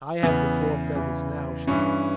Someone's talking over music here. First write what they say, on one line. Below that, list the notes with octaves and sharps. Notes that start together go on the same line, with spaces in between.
"I have the four feathers now," she said.
E2 C#3 E3 B3
E2 C#3 E3
G2 E3 C#4